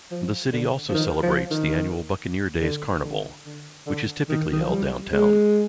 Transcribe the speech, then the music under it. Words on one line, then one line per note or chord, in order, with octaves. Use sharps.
The city also celebrates the annual Buccaneer Days Carnival, which is typically held downtown.
F3
D3
F3
D#3
F3
D#3
D3
D3
D3
D3
D#3
D#3
F3
G3
G#3